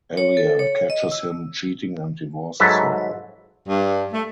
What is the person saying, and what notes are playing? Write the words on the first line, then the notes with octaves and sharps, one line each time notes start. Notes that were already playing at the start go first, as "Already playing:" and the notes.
Alia catches him cheating and divorces him.
C#5
A4
C#5
D#5
E6
G#2 F#3 A4 B4 E5
G2
A3